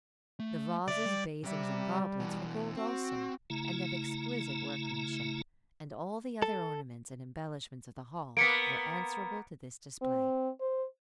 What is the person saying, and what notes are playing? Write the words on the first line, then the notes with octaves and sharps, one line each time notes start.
The vases, basins, and goblets were gold also, and of exquisite workmanship, and all the other ornaments and embellishments of the hall were answerable to this display.
A3
C#3 D5 E5
G3
C3 G3 E5
B2 E3
C4 F#4
C#3 A3 E4 A#5
A4
A#3 B3 B6 C#7 D7
C4
C5